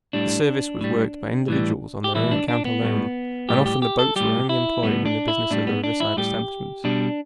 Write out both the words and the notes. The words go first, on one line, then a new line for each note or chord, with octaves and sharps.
The service was worked by individuals on their own account alone, and often the boats were only employed in the business of the riverside establishments.
A2 G3 D4
A2 G3
A2 E3 G3
G4
A2 E3 G3 E4
D4
D4
B3
A2 G3
A2 G3 G4
G4
G4
A4
A2 G3 G4
E4
A2 G3 B3
D4
E4
A2 G3 D4
B3
D4
E4
A2 G3 G4
B2 G3 D4